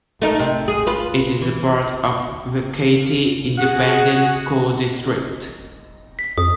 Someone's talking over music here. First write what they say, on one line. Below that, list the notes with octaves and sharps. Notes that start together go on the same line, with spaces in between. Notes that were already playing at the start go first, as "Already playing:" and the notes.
It is a part of the Katy Independent School District.
A3 D#4 A#4
C3
G#4
F4 B4
E3
F#4 G#4 F#5
B6
F2 D#6